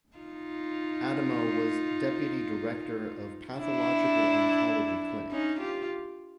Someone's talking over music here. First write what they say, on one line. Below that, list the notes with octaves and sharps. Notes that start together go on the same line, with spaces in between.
Adamou was Deputy director of Pathological Oncology Clinic.
D#4 F4
D4 E4
C#4 D#4
F4 G4